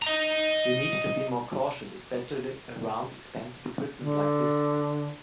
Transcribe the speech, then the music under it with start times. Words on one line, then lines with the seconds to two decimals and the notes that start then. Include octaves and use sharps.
You need to be more cautious, especially around expensive equipment like this.
0.02 D#5 A#5
4.00 D3